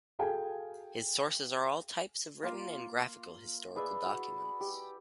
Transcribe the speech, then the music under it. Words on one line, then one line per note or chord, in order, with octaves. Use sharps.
His sources are all types of written and graphical historical documents.
F#4 G#4 A4 F5 G5 G#5
A#3 F4 A#5 C6
G#4 B4 D5 E5
F#4
G4